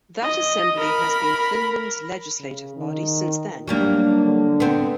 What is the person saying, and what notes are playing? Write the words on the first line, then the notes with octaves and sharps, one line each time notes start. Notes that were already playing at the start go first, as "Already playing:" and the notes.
That assembly has been Finland's legislative body since then.
D#5
A#4 B5
C#3
D#3
F#3 G3 A#3 D4
D3
B3 C4